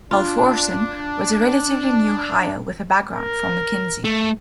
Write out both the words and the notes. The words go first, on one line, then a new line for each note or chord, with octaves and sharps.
Halvorsen was a relatively new hire with a background from McKinsey.
D4 F4
A#4
A3